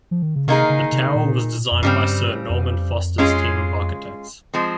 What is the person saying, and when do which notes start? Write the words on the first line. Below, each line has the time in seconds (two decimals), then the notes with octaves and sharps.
The tower was designed by Sir Norman Foster's team of architects.
0.11 F3
0.22 D#3
0.36 C#3
0.48 C3 D#3 A#3 D#4 G#4
0.70 C#3
0.92 C3
1.15 A#2
1.71 F2
1.82 G2 C#3 G3 C4
2.50 F2
3.18 G#3 C#4 F4 G#4
4.54 F3 G#3 C4